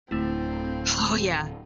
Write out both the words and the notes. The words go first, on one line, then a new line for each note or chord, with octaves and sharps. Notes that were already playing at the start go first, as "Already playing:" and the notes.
Oh yeah,
D1 D2 A3 C4 E4